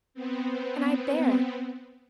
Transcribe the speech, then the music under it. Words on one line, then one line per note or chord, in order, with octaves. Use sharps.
And I bear it!
B3 C4